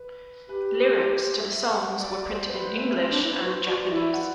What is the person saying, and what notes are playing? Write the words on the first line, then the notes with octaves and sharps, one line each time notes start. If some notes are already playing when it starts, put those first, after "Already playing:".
Lyrics to the songs were printed in English and Japanese.
Already playing: B4
G4 B4
C5
E5
F#5
D5
C5
C5
B4
A3
E5
B3
C4 C5
D4
E4 B4
E4
F#4 C5
F#4 D5
F#4
E4 E5
F#5